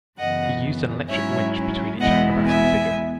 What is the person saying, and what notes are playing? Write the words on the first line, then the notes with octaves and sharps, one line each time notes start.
He used an electric winch between each acrobatic figure.
F#2 C#3 E3 B3 D#5 F#5
G#2 F#3 C#4 E4 C#5 E5
E2 B2 G#3 B3 E4 D#5 F#5
E5 G#5